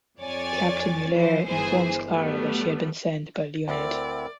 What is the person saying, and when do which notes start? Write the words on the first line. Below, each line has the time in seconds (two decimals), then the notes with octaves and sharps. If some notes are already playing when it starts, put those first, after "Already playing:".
Captain Muller informs Klara that she had been sent by Leonid.
0.20 F2 C#5 D5 G#5 A6
1.13 E3 F3 C5
1.47 G1 E3 G#4 C5
2.09 F#3 G3 A3 B3
3.68 D2 C4 E4 A#4 D5